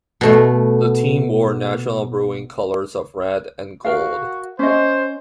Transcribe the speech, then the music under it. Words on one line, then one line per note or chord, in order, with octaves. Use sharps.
The team wore National Brewing's colors of red and gold.
B2 A3
F#4 A#4 F5
C#4 C5 D#5